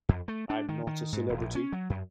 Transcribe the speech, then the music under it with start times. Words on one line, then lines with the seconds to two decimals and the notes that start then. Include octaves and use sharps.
I'm not a celebrity.
0.09 F2
0.28 A3
0.50 D4
0.69 D#3
0.87 D#3
1.13 G#2
1.29 D#1
1.41 A#1
1.55 C#4
1.73 F#3
1.90 F#2